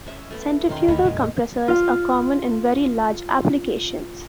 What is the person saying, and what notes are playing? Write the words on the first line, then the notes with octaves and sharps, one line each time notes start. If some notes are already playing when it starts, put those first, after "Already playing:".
Centrifugal compressors are common in very large applications.
C#4 E5
A3 B3 D6
D#3 C#4 C6
D2 A3 C#5 D#5 B5
F2 A#2 G#3
F4 F5